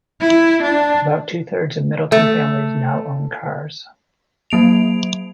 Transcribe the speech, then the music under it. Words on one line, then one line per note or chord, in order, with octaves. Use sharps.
About two-thirds of Middletown families now own cars.
E4
D4
A3
F#3 A#3 D7 F7